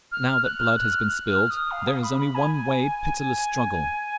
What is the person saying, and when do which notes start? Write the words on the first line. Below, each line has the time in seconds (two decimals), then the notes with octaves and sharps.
But now that blood has been spilled there is only one way--pitiless struggle.
0.12 F6
0.43 F#6
0.59 F6
0.75 F#6
0.92 F6
1.07 F#6
1.29 F6
1.50 D#6
1.71 F5
1.87 D#6
2.03 B5
2.19 B5
2.35 G#5